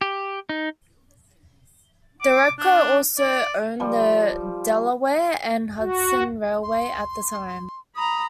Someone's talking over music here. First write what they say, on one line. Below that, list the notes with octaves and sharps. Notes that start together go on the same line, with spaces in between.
Dereco also owned the Delaware and Hudson Railway at the time.
G4
D#4
D6
D4
D5
F3 G3
F#4
C6
A#5 B5 D#6